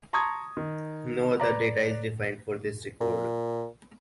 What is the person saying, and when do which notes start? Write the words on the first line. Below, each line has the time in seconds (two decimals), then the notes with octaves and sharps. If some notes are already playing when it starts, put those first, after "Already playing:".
No other data is defined for this record.
0.13 A5 A#5 C6 C#6 D#6 G#6
0.57 D#3
1.40 B4 D5 A#5
3.01 A#2